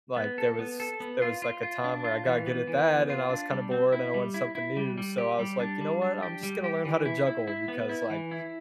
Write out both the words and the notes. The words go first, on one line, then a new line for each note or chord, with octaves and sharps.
like, there was there was, like, a time where I got good at that and I was kinda bored and I want something new, so I was like, “You know what? I'm just gonna learn how to juggle.” Because, like,
B3
A4
B3
A4
B3
F4
F4
F4
D4
F4
E3
B3
E3
B3
F4
D4
G3
C4
E4
G3
E4
E4
G3
G3
G4
G3
D4
G3
D4
G4
G3
G4
E3
E4
E4
E4
B3
E4
E3
E4